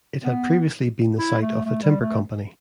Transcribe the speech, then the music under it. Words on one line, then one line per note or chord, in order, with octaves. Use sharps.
It had previously been the site of a timber company.
B3
E4
A3
A3
G3
A3